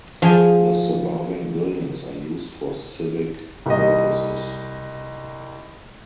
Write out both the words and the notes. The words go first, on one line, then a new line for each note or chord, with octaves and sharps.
The surviving buildings are used for civic purposes.
F3 G#4
C2 D#5